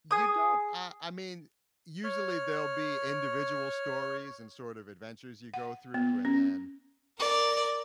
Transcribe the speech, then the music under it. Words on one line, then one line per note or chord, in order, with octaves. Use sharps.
You don't I I mean, usually there'll be individual stories and sort of adventures you go through and then,
G#4 D#6
C#5 F6
F#5
B3
C#4
A#4 D5